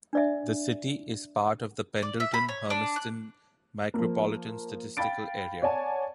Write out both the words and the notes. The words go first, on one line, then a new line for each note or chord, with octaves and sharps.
The city is part of the Pendleton-Hermiston Micropolitan Statistical Area.
D4 D5 E5
D5
E5
B5
C#5
D4
F#6
F3 A#3
F5 G5 B5 A6 D7
C#5 D5 F#5 G#5 A5